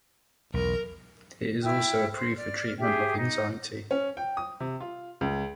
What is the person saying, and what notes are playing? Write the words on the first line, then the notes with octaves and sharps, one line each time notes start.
It is also approved for treatment of anxiety.
B1 E2 A#4
E4 E5 G5 F6
C5
D5 F6
G4 G#4 E5 G5
D#4
C#4
G5
D#6
C3
F4
C#2